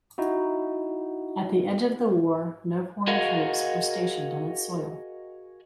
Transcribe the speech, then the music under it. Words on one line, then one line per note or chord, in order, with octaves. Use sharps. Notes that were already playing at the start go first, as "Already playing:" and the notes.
At the end of the war no foreign troops were stationed on its soil.
D#4 E4 F#4
F#4 G#4 A#4 D#5 F5 F#5